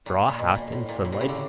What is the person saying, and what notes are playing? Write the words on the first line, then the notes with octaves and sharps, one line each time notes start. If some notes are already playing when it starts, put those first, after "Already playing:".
Straw hat in sunlight.
A#2
A#2
B2
A#2
A2
A#2
A2
C3
C#3
D3